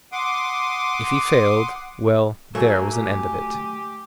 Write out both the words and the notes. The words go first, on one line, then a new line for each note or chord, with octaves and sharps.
If he failed--well, there was an end of it.
F#5 C6 D6 D#6
F#3 A3 A#3 E5 G#5 A5
G4